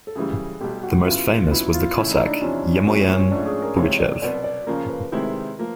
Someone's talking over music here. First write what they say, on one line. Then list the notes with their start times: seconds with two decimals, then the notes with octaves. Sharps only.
The most famous was the Cossack Yemelyan Pugachev.
0.07 A4
0.15 F#2 C#3 E3 G3 G#4
0.61 B1 B2 G3 G4
0.83 F#4
1.05 C#3 F#3 B3 E4 F4
1.51 C#3 F#3 B3 D#4 E4
1.74 F4
1.96 D#2 C#3 E3 A3 C#4 E4
2.11 D#4
2.26 D4
2.41 E2 C3 F3 C#4
2.86 A#1 A#2 F#3 A3 C4 C#4
3.10 C#4
3.31 G#2 F3 A3 D4
3.46 G#4
3.62 A#4
3.76 C3 E3 G#3 C4 F4 C#5
3.99 D5
4.22 C2 B2 F#3 B3 D5
4.44 D5
4.67 C#3 F3 A#3 A#4
4.89 B4
5.12 C3 D#3 G#3 C4 E4
5.58 F3 A#3